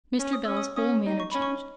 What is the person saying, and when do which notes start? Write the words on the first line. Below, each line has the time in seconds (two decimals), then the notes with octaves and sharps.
Mr. Bell's whole manner changed.
0.19 C#4
0.33 D#6
0.45 C#4 E6
0.57 D#6
0.76 C#4 D#6
1.06 D#4
1.20 C#6
1.31 C#4 B5
1.42 C#6